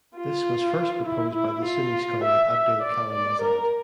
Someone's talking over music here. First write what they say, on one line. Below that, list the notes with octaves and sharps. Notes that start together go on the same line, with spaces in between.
This was first proposed by the Sunni scholar Abul Kalam Azad.
F4
E4
E4
F4
E5
E5
D5
D5
A#4